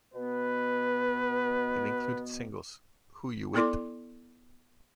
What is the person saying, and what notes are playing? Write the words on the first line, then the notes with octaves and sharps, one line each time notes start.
It included singles Who U Wit?
B2 B3 B4
B3 E4 A4 D5 C6 D6